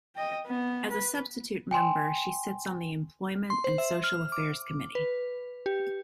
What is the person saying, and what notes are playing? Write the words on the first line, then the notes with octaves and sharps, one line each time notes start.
As a substitute member she sits on the Employment and Social Affairs Committee.
D#5 G5
B3
B4
G5 G#5 C6
C6
C5
E5
F6
D6
B4
G4